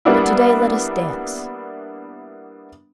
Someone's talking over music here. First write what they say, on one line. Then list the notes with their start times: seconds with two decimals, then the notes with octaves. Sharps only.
But to-day let us dance.
0.05 G3 A#3 B3 D4 E4